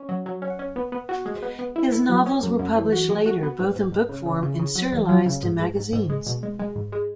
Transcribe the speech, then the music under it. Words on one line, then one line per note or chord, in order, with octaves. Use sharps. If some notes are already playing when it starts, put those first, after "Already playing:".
His novels were published later, both in book form and serialized in magazines.
Already playing: C#4
F#3
F#3
C#4
C#4
B3
B3
F#4
G#3
B3
B3
E4
E4
F#3
C#4
F#2
F#2
E3
F#4
G#3
F#4
B3
G#2
G#2
G#2
C#3
C#3
C#3
C#3
F#3
E2
F#3
C#3
G#2
G#2
G#2
G#2
G#3
B2
G#3
G#3
G#2
G#3